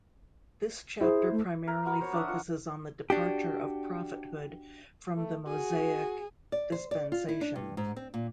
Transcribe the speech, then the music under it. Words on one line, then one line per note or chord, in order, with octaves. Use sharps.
This chapter primarily focuses on the departure of prophethood from the Mosaic dispensation.
E4 G#4 C5
A3
A#4
B3 F#4 A#4
C5 C#5 C#6
D4 F#4 E5 D#6
F4 C#6
D4 F#4 G4
A3
F#4 G#4
D5
C5
D5
F4
E4
D4
G2
G#2
C4
A#2